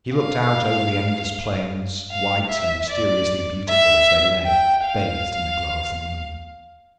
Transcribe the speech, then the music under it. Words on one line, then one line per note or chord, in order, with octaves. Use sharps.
He looked out over the endless plains, white and mysteriously beautiful as they lay bathed in the glow of the moon.
F5
F5
E5
D5
E5
G5
F5